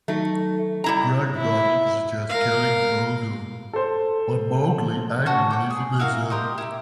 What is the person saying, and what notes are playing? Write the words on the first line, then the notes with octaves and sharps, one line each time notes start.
Grey Brother suggests killing Buldeo, but Mowgli angrily forbids him.
D#3 F#3 A3 D#4
G3 E4 A#5
E4
A#4 F5
A4 C5
C#4 F#4 A5
F#5 G5 D6
G#4
E4 F#4 A#4 F5
G4 A#4 C5 D#5
E4 G4